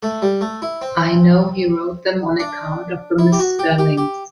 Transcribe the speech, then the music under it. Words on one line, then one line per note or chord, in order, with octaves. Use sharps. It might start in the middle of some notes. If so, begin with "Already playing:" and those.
I know he wrote them on account of the misspellings.
A3
G3
A3
E4
C4
D4
E4
G4
F#4
G4
G4
G4